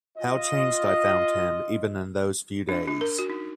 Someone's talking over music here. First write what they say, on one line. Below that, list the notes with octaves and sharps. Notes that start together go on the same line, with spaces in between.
How changed I found him, even in those few days!
F4 D#5
D4
D4
A#4
F#4
D#4